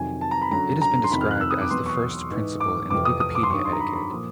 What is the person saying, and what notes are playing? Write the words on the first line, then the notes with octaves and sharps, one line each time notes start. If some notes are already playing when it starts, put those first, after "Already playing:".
It has been described as "the first principle in the Wikipedia etiquette".
Already playing: F2 C3 D#3 F#3 G#5
A5
A#5
B5
F#2 D3 F#3 A#5
A#5
C6
F2 C3 D#3 B5
F6
F#6
E6
D#6
D6
E2 B2 F#3 C6
C#6
G#2 E3
D6
F2 C3 E3 D6
D#6
D#6
D6
C6
G2 D#3 F#3 C#6
C6
A#5
B5
B5
A#2 F3